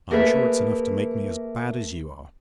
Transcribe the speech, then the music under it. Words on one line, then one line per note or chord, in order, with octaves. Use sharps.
I'm sure it's enough to make me as bad as you are.
A3 A#3 G#4 B4 E5